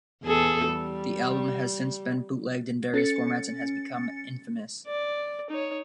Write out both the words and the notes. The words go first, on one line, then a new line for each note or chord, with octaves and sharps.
The album has since been bootlegged in various formats and has become infamous.
E2 G#4 A4
G3
C#4 A4 A6 C#7
D5
D#4 C#5